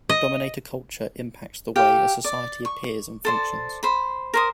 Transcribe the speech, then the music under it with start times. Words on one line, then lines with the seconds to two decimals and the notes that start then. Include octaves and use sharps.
Dominator culture impacts the way a society appears and functions.
0.09 D#5
1.76 G4 F5 G5
2.24 D5
2.65 C#6
3.25 A4 C5 D5
3.83 C5 B5
4.34 A#4 C5 D#6